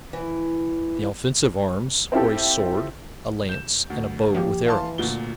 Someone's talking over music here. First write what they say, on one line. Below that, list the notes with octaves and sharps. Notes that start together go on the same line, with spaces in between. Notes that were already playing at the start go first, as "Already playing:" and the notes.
The offensive arms were a sword, a lance, and a bow with arrows.
E3
C4 E4 F4 G4 A4
G6 E7
D2
F3 A#3 G4
E3 F5 A5 C6
D2 A#2 G7